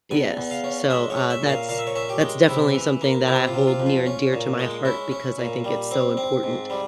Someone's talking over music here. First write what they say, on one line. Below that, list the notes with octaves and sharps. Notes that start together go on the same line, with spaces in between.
Yes. So, uh, that's, that's definitely something that I hold near and dear to my heart because I think it's so important
E2 G#5
E2
F5
C#4
G#3 E5
C#5
C#4
E5
A#2
F5
A#2 F5
E5
C#5
C#4 E5
G4
G#3
C3 E4
E3
A#3
C3 E4
F4
C3
F4
F2
F4
C#4
A#2
G#3
C#4 E4
C#4
A#2
G3
C4
C4
G#2
G3